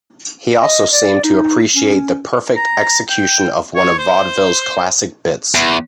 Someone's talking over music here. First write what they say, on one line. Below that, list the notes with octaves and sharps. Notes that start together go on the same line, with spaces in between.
He also seemed to appreciate the perfect execution of one of vaudeville's classic bits.
D#5
D5
D#4
C#4
A#5
G5
C#5
C5
E2